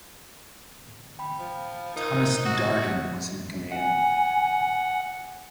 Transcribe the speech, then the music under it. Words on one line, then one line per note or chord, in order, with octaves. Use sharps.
Thomas Darden was in command.
G5 B5
F3
D#4 A#4
C5
F#4 D#6 E6 A#6
F#5 G#5